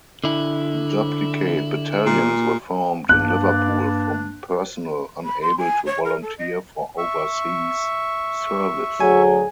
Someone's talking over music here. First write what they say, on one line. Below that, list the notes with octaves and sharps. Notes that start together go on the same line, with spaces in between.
Duplicate battalions were formed in Liverpool from personnel unable to volunteer for overseas service.
D3 E4
A#2
G2 A#3 D4 F#6
B5
C6
G#5
C#5
A#4
A4
D#5
E5 C#6
D2 F#3 G#4 G#5